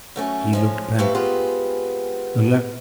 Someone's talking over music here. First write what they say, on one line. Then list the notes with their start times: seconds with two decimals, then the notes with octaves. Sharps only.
He looked back, and lo!
0.16 F#2 A3 C#4
0.53 F3 G#3 C#4
0.99 A3 C4 G4 A4 B4 F5
1.15 G#3 B3 C4 F4 G4 G#4